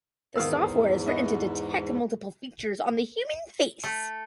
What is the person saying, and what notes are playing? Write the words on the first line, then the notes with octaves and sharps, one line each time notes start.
The software is written to detect multiple features on the human face.
E2 G#2 D#3 F5 E6
B3 D#5 E5
A3